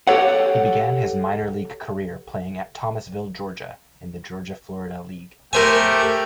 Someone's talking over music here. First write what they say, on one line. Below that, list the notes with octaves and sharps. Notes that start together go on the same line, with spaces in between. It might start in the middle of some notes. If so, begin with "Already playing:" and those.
He began his minor league career playing at Thomasville, Georgia, in the Georgia-Florida League.
G4 A4 C#5 F#5
A3 G4 A#4 C5 G#5